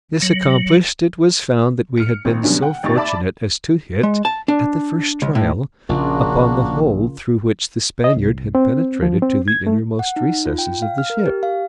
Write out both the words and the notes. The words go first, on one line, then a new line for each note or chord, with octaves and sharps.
This accomplished, it was found that we had been so fortunate as to hit, at the first trial, upon the hole through which the Spaniard had penetrated to the innermost recesses of the ship.
F#3
F6 C#7
G#1 C4
B2 D3 F#3 G3 C#4 D4
F#5 G5
G#1 D#4 G4 C#6 A6
D5 E5 A5 B5 D6
G#3
A5
D4
C#2
A2
A#1 C#3 A#3 D4 F4 F#4 A#4
D#5
C2
C4
F3
C4
G#6
A3
F#5
D#4
F4
G5
F5
F6
A#4
G4
F5